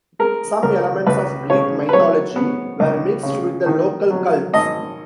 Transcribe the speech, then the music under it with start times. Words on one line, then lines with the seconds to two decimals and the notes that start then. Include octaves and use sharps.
Some elements of Greek mythology were mixed with the local cults.
0.19 G#3 A#4
0.63 C#2 A#4
1.06 C#2 B4
1.50 C#3 C#5
1.89 B4
1.93 F#3 C#5
2.36 B3
2.80 C#2
3.23 C#3
3.66 D#3
4.10 F#3
4.53 G#1 D#5